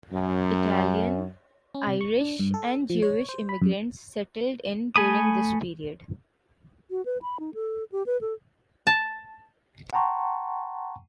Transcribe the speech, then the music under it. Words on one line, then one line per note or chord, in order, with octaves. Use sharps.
Italian, Irish and Jewish immigrants settled in during this period.
F#2
C#4
C3
C#6
D4
G2
A4
F3
C#5
C5
B5
F#2
A3 G#5 B5 D#6
F#4
B4
B5
D#4
A4
G4
B4
A4
A5
F#5 G5 A5 A#5 C6 C#6